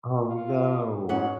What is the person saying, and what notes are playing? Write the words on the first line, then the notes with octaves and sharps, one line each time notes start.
Oh, no.
F4
G#2 B2 C#4 F#5